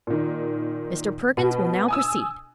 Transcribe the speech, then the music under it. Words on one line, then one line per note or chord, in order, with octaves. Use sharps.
"Mr. Perkins will now proceed."
A#2 D#3
B2
G#5 D#6 E6